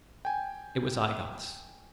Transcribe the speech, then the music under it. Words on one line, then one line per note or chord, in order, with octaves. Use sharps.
It was I-Gos.
G5 G#5